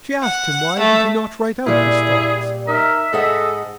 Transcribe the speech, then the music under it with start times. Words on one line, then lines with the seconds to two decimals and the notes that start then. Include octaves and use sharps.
She asked him why did he not write out his thoughts.
0.22 F#5
0.78 A3
1.66 A#2 G3 E4 G#4
2.68 D#4 A#4 E5
3.13 G#2 G#4 A4 D#5 F#5